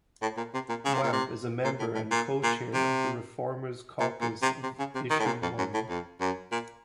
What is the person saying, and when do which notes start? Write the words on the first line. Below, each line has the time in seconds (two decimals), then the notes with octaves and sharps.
Wamp is a member and co-chair of the ReFormers Caucus of Issue One.
0.22 A2
0.37 A#2
0.54 C3
0.69 A#2
0.85 C#3
0.94 C3
1.03 A#2
1.13 C3
1.64 A#2
1.79 A2
1.95 A2
2.11 A#2
2.43 A#2
2.74 C3
4.00 A#2
4.21 A#2
4.42 C3
4.63 C3
4.79 C#3
4.95 C3
5.10 D#3
5.20 A2
5.27 A#2
5.43 F2
5.58 F#2
5.74 A2
5.89 F2
6.21 F#2
6.52 A#2